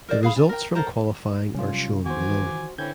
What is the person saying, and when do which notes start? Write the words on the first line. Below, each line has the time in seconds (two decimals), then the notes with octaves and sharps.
The results from qualifying are shown below.
0.09 A#4 C5 D5 D#5
0.23 G#4 F5 B5
0.36 D4 G#5
0.49 A#4 G5
0.75 A4 A#4 C5 A#5
1.55 C3 F#3 G3 C#4 F4
2.06 D#3 E3 F#4 C5 G#5 D6
2.78 D3 E3 C4 C#4 G6 G#6